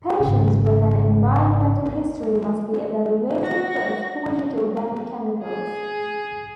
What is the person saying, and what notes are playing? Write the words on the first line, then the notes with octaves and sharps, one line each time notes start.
Patients work and environmental history must be evaluated for exposure to organic chemicals.
G#1 C#3
F#4 A#6
G#4